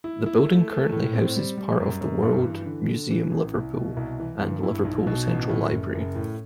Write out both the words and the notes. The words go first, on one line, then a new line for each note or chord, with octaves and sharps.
The building currently houses part of the World Museum Liverpool and Liverpool Central Library.
E4
E4
A3
A3
A2
C4
G3
G3
F#2
F#2
G2
E3
D3
D3
E3
A1
C2
B2
C2
E3
G2
E4
B1
B2
A1
A2
F#1
F#1
A2